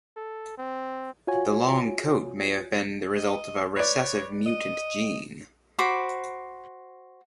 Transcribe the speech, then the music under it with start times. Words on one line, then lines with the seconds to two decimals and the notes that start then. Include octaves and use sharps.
The long coat may have been the result of a recessive mutant gene.
0.17 A4
0.58 C4
1.27 F4 F#4 C#5 G#5
3.16 D#5
3.76 B4 C#5 D5
4.46 D#5
5.79 F#4 C5 B5 D6